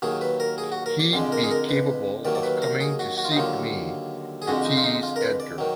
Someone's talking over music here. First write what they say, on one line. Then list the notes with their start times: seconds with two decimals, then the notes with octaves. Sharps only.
He’d be capable of coming to seek me, to tease Edgar.
0.02 D#2 D#3 F#3 G#4
0.21 B4
0.40 A#4
0.58 G#4
0.72 F#4
0.86 A#4
0.99 D5
1.13 F2 D3 G#3 D5
1.32 A#4
1.44 G#4
1.51 A#4
1.69 B4
2.25 D#2 D#3 F#3 D5
2.35 D5
2.43 B4
2.62 A#4
2.80 G#4
2.99 F#4
3.18 F#4
3.25 F4
3.31 D#4
3.36 D#2 D3 F#3 F4
4.42 G#4
4.47 F2 D3 G#3 F#4
4.65 D#4
4.77 F4
4.84 D#4
5.03 F4
5.16 A#4
5.21 B4
5.40 D5
5.58 D#3 F#3